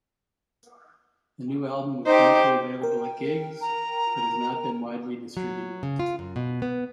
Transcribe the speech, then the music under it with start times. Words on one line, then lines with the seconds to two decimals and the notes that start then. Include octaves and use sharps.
The new album was briefly available at gigs, but has not been widely distributed.
2.06 D#4 G4 C5
2.82 A#4 G5
3.61 A#5
5.37 F#3
5.83 C#3
5.99 F4
6.19 F#2
6.36 B2
6.62 B3